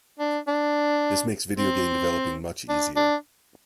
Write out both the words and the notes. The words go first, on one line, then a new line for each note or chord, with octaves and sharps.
This makes video game developing much easier.
D4
D4
C4
D4
D4